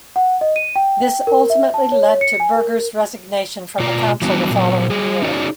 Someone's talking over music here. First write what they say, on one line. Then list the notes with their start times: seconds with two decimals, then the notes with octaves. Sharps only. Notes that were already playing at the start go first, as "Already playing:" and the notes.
This ultimately led to Berger's resignation from the Council the following year.
0.16 F#5
0.41 D#5
0.56 D#7
0.76 G5
1.27 A#4
1.50 E5
1.74 A5
1.92 C#5
2.21 C#7
2.40 G#5
2.56 A#4
3.80 B2 F4 D5 A#5
4.22 E3 F#3 G3 B3 D4 F#4
4.51 A#2 F#3
4.90 G3 G#4
5.22 C#4 D#4 F#4 G#4 C#5 D5